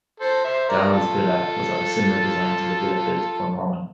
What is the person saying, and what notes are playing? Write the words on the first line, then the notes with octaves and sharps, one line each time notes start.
Dahl's villa was of a similar design to the villa built for Normann.
A4 C5
C5 E5
E5
A#4 D5
F4 A4